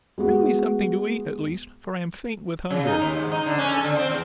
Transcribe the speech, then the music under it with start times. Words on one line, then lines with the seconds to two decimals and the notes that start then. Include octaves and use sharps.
"Bring me something to eat, at least, for I am faint with hunger."
0.18 G#3 B3 F#4
2.71 C#3
2.87 D#4
3.02 D#2
3.20 G#2
3.32 D#4
3.46 D3
3.58 C#4
3.73 A4
3.84 D3
3.96 C4
4.10 E2